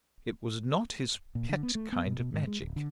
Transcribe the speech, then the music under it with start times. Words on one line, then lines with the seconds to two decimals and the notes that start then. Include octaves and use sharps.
It was not his pet kind of magic.
1.35 A#2
1.49 D3
1.63 B3
1.75 A3
1.92 B3
2.06 B2
2.19 B2
2.34 G#2
2.47 G#3
2.62 D1
2.76 D3